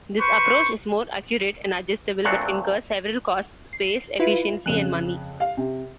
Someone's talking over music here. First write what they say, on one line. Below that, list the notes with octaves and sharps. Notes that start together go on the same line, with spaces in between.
This approach is more accurate and adjustable, but incurs several costs-space, efficiency and money.
B4 C5 C#6
A#2 F#3 A3 C4 D4 F#5
C7
E4 F4 B4
F2 C#3 F#6
F5
C3